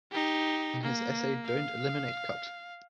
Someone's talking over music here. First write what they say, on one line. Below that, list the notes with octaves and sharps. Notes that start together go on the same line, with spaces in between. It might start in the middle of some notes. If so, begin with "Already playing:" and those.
In his essay Don't Eliminate Cut!
D#4 G4
A#3
F5